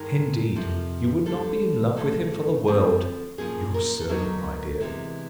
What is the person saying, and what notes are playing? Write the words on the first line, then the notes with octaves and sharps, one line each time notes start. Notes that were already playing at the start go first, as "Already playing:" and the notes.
Indeed you would not be in love with him for the world!--Your servant, my dear.
Already playing: G2 D#3 G#3 A#4
F2 C3 F3
D2 D3 G3 A4
G#2 E3 A3
D3 F3 A3 C4
A#2 F3 A#3 C#4 G#4
A#4
A4
D3 F#3 B3 D#4 A#4
C3 E3 G#3 B3